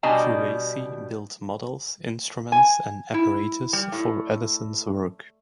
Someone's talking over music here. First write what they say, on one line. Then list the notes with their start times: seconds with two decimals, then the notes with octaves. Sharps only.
Kruesi built models, instruments, and apparatus for Edison's work.
0.03 B2 G3 D4 D#5 G#5 A#5
2.52 G#5
3.14 E4
3.73 G3
3.92 A2